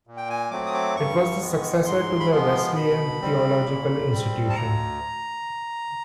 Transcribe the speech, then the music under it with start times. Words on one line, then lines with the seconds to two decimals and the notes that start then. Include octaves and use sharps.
It was the successor to the Wesleyan Theological Institution.
0.07 A#2
0.17 G5
0.30 G#5
0.51 F#3 A3 C4 D6
0.66 D#6
0.74 D6
0.96 G2 C#6
1.41 D#3 G#3 B3
1.86 G#2 C6
2.20 B5
2.30 F3 G#3 B3 C6
2.76 B2 B5
3.21 G3 C4
3.65 A#2
4.10 G3 C4
4.50 A5
4.55 D2 A#5